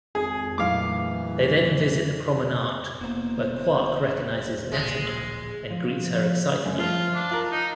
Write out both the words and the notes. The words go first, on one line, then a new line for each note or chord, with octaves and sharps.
They then visit the Promenade, where Quark recognizes Natima and greets her excitedly.
G#1 F2 G#4
A#2 E3 F#3 A3 F5 D6
E1 A#3 B3 C5
D1 A#1 A#2 G#3
F3
F#2
F3 F4
D4
F4 A#4
D#4